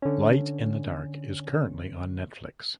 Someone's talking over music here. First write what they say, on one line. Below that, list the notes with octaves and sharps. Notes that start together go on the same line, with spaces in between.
Light In The Dark is currently on Netflix.
D3 C#4